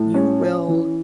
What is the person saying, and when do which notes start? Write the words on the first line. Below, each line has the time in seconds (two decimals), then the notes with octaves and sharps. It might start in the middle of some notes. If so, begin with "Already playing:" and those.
you will
Already playing: A2
0.14 C#4
0.42 C#4
0.68 E3